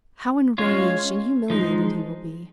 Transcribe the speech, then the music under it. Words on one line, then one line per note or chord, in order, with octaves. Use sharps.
How enraged and humiliated he will be!
G#3 C#4 F4 C#5
F3 G#3 D#4